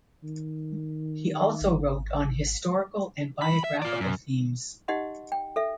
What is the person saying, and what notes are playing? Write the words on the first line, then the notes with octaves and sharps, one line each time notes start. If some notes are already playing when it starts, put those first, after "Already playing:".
He also wrote on historical and biographical themes.
D#3
G#1
B5
E5
F4 D5
F#2
D#4 G4 D#5 F#5 C6
G5
A4 E5